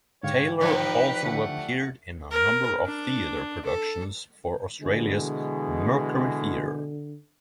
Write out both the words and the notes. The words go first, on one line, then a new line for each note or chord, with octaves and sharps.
Taylor also appeared in a number of theatre productions for Australia's Mercury Theatre.
G#2 D3 G4 C#5 F5
E3 F3 G3 D#4 B4 G5
D3 A3 D4 F#5
A#4
D4
A4
B2 D3 E3 G#3